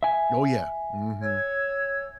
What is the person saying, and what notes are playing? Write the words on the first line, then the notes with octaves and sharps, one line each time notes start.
Oh, yeah. Mhm.
E5 G#5
C#5 E6 G#6